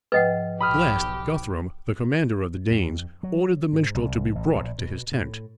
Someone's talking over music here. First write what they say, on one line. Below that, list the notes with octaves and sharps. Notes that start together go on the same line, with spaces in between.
At last, Guth'rum, the commander of the Danes, ordered the minstrel to be brought to his tent.
G#2 F3 B4 D#5 F#5 G5
B1 G4 B5 D#6 F6
F2
F#3
G#2
C2
A1
A#1
B2
A2